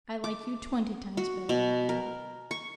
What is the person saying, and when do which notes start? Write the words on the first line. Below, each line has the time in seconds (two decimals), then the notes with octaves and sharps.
I like you twenty times better than Hamlet.'
0.24 D6
1.17 F#4
1.49 B2
1.89 A#4
2.51 C#6